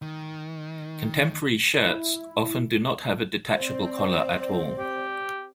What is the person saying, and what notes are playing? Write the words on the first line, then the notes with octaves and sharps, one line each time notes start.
Contemporary shirts often do not have a detachable collar at all.
D#3
E4
C4 C5 D5
G4